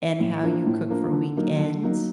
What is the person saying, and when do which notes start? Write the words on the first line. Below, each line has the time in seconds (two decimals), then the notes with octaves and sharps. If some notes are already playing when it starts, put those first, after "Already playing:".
and how you cook for weekends?
0.20 A2
0.43 F3 A#3 D4
0.66 A2
0.90 F3 A#3 D4
1.13 D3
1.37 F#3 A#3 D#4
1.59 D3
1.83 F#3 A#3 D#4